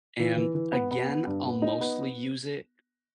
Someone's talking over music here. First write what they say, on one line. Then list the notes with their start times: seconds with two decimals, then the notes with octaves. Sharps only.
And again, I'll mostly use it,
0.20 E3
0.37 E3
0.55 E3
0.73 B3
0.91 B3
1.09 B3
1.27 G2
1.45 B3
1.62 D#4
1.81 B3